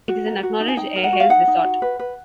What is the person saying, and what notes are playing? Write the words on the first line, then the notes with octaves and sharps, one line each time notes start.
It is an acknowledged air health resort.
F#4
A#4
F#4
D#4
G#5
D#4 G5
A#4
F#5
F#4
F5
D#4 F#5
D#4
F#4
B4
B4